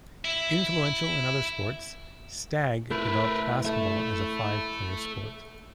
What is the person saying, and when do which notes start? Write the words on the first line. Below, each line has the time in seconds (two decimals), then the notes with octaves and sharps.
Influential in other sports, Stagg developed basketball as a five-player sport.
0.25 E4 E5
2.91 A3 E4 A#4 B4
3.65 A4 E5